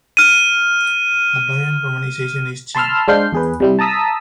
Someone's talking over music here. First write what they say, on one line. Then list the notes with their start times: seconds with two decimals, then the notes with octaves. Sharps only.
A variant romanization is Chin.
0.17 F6 D#7
2.75 A5 B5 C6 E6 F6
3.08 G#3 D4 C5 F5 G6 C7
3.33 E2 G#4 B4
3.60 C3 G3 E4
3.79 A5 A#5 D#6 E6 B6